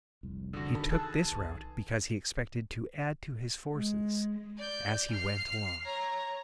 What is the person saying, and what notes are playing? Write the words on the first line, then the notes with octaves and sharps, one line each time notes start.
He took this route because he expected to add to his forces as he went along.
F1 C2
D3 F#4 D#6 A#6
D#3 A4 A5 B5
G#4 A5 E6 F#6 G#6
B1
G#3
D5 G6
F6 C7
C#5 A#5